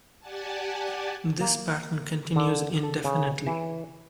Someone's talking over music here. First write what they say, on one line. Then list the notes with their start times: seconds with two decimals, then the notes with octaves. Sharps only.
This pattern continues indefinitely.
0.20 G4 D5 F#5 G#5 A5
1.40 A#3
2.36 D3
2.83 A4
3.04 C#3
3.46 E3